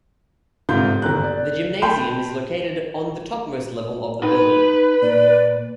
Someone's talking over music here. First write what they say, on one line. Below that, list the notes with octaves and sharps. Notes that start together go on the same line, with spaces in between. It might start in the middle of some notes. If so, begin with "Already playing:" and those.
The gymnasium is located on the topmost level of the building.
G1 G#2 C3 F4 C6 G6
G1 D#2 A#5 F#6
D5
G5 A5 B5 C6 G6
D#4 B4 C6
A#2 D5